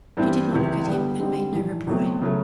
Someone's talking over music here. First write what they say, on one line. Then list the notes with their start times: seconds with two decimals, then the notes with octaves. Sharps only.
She did not look at him, and made no reply.
0.17 G2 E3 G3 C4 E4
0.51 C#2 C3 E3
0.84 G2 D3 G3 B3
1.19 D3 G3 C4 D#4 G4
1.53 A#1 G#2 E3
1.87 C#2 B2 F#3 A3 C4
2.21 C#3 F#3 A3